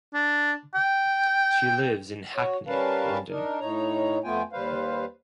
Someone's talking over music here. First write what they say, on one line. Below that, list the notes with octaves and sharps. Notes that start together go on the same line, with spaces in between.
She lives in Hackney, London.
D4
G5
F#4 C#5
G3 C#4 A#4 B4 F5 A5
D4 D#4 A#4
A2 D#4 C#5 A#5
F2 A3 B3 F4 G5 G#5
D#2 G3 B4 C5 F5